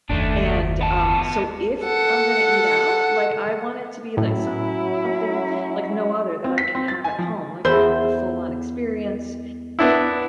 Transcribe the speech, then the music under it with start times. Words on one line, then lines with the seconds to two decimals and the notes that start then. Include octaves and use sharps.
and, um, so if I'm gonna eat out, like I want it to be like something like no other that I can have at home, like, I want the full-on experience.
0.09 F#1 D#2 A3 D4
0.81 B3 A5
1.81 A4 F#5
4.17 A2 F#3 C#4 E4
6.44 C4
6.58 B6
6.75 C4
6.88 A6
7.04 G#5
7.18 F3
7.65 E2 A4 C5 B5
9.79 B3 D4 E4